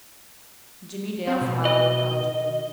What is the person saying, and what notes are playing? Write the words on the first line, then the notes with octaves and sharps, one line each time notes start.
Jimmie Dale smiled indulgently.
C4
B2
D#5